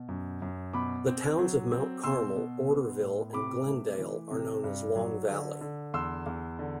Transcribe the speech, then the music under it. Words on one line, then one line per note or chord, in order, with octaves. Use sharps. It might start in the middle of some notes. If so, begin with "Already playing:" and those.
The Towns of Mount Carmel, Orderville, and Glendale are known as Long Valley.
Already playing: B2
F#2
F#2
B2 B5 D6
C4
F#3
C4
B2 C6 E6
B2
B3
A2
C3 B5 D6
A3
E3
C3
G2
F#3
D3
D3
E2 C6 E6
E2
D3